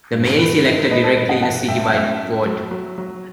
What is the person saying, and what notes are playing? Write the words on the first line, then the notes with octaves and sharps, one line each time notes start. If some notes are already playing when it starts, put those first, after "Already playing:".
The mayor is elected directly in a citywide vote.
G2
G2 B4
D#3 B4 D#5
D#3 B4 D#5
A4 C5
G2 B4 D#5
D#5 F#5
E3 F#5 A5
F#2 E5 G5
A5
F#2 E5 G5
F#2
F#3
F#3
F#3